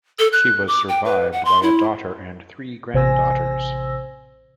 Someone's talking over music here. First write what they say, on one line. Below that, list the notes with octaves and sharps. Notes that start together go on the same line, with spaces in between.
She was survived by a daughter and three granddaughters.
A4
F#6
D6
G5
B4
F#5
C6
E4
A1 C3 C5 G#5 E6 A#6